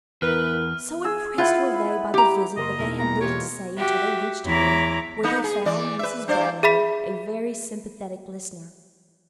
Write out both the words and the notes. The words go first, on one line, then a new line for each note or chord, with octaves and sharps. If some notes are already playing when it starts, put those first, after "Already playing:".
So impressed were they by the visit that they had little to say until they reached home, where they found Mrs. Barlow a very sympathetic listener.
E2 B3 E4 A#4 B4 F6
G#4 E6
E4 F4 B4 F#5
G4 A#5
F#1 A#4 D#5 C6
E1 D#4 E4 A#4
A#2 B3 A#5
E3 F4 G4 C#5
F#4 G4 E5
E2 E4 C#5 A#5 D6
A#3 D#4
G#4
E3 D5
B4 E5
G2 C5 D5
G#4 E5 B5 B6